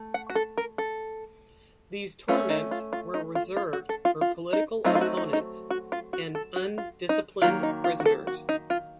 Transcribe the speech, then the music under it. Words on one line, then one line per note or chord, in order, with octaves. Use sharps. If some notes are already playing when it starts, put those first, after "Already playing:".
These torments were reserved for political opponents and undisciplined prisoners.
Already playing: A3
F#5
F#4
A4
A#4
A4
A3 C#4 F4
D#4
F4
F4
D#4
F4
F4
F#4
A4
F4
F4
D#4
F#3 A3 C4 D#4 F4
F4
F#4
D#4
D#4
F#4
F4
F#4
A4
F#4
F4
D#4
D#3 F#3 A#3 F4
D#4
F4
F#4
A4
F#4
D#4
F4